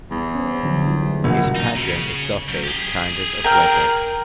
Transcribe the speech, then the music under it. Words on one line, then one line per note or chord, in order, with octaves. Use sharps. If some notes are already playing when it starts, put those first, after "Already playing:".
Its patron is Sophie, Countess of Wessex.
E2 G3
C#4 C5
D3 F3 F#3
G3 E4
F#3 A3 D4
A#1 F#4
D#4
C#3
F#2
G4 G#4
A#4 G5 F6